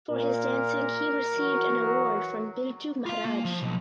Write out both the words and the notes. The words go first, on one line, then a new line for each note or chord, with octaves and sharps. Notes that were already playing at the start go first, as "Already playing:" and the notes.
For his dancing he received an award from Birju Maharaj.
A#2 A#4
E3 F#3 F#4
F4 F5
A#3
F3
B1